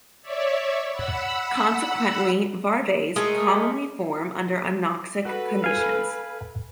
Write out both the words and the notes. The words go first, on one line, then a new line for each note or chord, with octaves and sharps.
Consequently, varves commonly form under anoxic conditions.
C#5 D5 E5
F#5 B5 E6
G#3 A3 A#4 D#5
F#4 A4 B4
F5 G#5